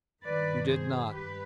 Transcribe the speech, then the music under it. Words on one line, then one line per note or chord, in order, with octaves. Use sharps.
You did not!
G2 D#3 B4 D5
G#4 C5
G2 G4 B4